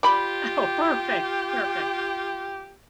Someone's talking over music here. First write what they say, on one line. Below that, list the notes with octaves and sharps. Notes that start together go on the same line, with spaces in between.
Oh, perfect, perfect.
F4 G4 D5 B5